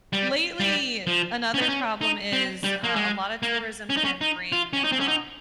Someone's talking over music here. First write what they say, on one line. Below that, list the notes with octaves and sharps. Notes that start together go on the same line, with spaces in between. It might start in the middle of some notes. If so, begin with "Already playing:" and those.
Lately, another problem is, uh, a lot of tourism can bring, um
G3
G3
F3
C#4
D#4
C#4
D#4
C4
G3
A#3
G#3
A#3
C#4
D#4
C#4
D#4
F4
C#4
D#4
C4
C#4
D#4